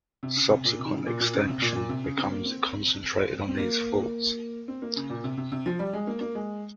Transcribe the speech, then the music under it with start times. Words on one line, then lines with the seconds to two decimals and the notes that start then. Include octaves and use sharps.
Subsequent extension becomes concentrated on these faults.
0.23 C3
0.36 C#3
0.50 C3
0.65 A#2
0.79 C3
0.85 D#3
0.92 C#3
1.07 A#2
1.20 A#2
1.34 C#3
1.49 C3
1.62 A#2
1.75 A#2
1.89 C3
2.04 C#3
2.18 C4
2.32 A#3
2.45 C4
3.48 C4
3.57 A#3
4.68 C4
4.82 A#3
4.96 C#3
5.10 A#2
5.24 C3
5.37 C3
5.52 C3
5.66 F3
5.79 G3
5.93 G#3
6.07 A#3
6.21 A#3
6.35 G#3